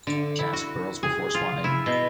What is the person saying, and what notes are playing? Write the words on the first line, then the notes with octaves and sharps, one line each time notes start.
Cast pearls before swine.
D3
E4
F#4
G#4
F4
E4
B2